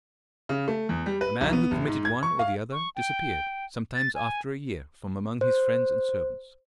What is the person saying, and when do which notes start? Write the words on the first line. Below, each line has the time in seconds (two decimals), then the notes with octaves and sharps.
A man who committed one or the other disappeared, sometimes after a year, from among his friends and servants.
0.49 C#3
0.68 A3
0.89 E2
1.06 G3
1.21 B4
1.41 B1
1.53 B3
1.71 A1
1.87 G#2
2.05 G#6
2.23 C#6
2.39 F5
2.72 C#6
2.96 G5
3.95 A6
4.15 G#5
5.41 C5